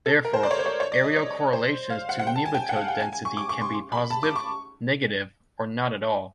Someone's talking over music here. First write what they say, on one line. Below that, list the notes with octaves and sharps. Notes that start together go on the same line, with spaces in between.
Therefore, aerial correlations to nematode density can be positive, negative or not at all.
A4
A#4
C5
D5
C#5
C5
C#5
C#5
D5
D#5
C#5
C5
F5
F#5
F#5
G5
A5
G#5
G5
F#5
F5
G5
G#5
G#5
C#6
D6
C#6
C6
B5
A5
D6
C#6